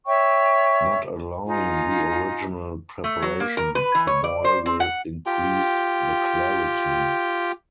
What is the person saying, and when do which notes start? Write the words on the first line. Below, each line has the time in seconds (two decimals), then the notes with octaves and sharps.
Not allowing the original preparation to boil will increase the clarity.
0.06 C#5 E5 G5 C#6
1.45 D#4 F4 G#5
3.04 A3
3.22 F#3
3.40 A#3
3.57 A#4
3.75 B4
3.95 E3
4.07 C#5
4.24 D5
4.44 C5
4.66 C4
4.80 F#5
5.26 F4 G4 G5